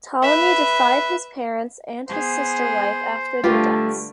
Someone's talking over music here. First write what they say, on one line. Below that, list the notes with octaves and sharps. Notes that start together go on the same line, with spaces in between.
Ptolemy deified his parents and his sister-wife after their deaths.
B4 E5
B3 G#4 C5
D3 G3 A3 F4 G4 B4